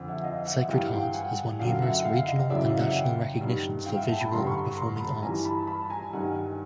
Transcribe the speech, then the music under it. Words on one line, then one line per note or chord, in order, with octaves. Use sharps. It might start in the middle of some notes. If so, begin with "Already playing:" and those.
Sacred Heart has won numerous regional and national recognitions for visual and performing arts.
Already playing: F2 D3
E5 F#5
D#5 F5
E5 F#5
G2 E3 F5 G5
F#5
F5 G5
F#5 G#5
F#2 D3 F5 G5
E5 F#5
F#5
F5 G5
D#5 F5
F#2 C#3 E3 D5 E5
D#5 F5
E5 F#5
F5 G5
G2 D#3
F5 G5
E5 F#5
G5 A5
A5 B5
G2 D3 A#5 C6
B5 C#6
A#5 C6
A5 B5
G2 E3 G#5 A#5
A5 B5
A5 B5
G#5 A#5
G2 D#3 F#5 G#5